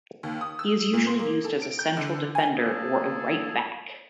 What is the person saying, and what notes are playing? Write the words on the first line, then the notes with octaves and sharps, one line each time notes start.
He is usually used as a central defender or a right back.
D#2
D#6
E6
A#2
C6
A#3
A4
D7
G6
D3
G#5
D2 F#3 A3 A#3 G#4 A4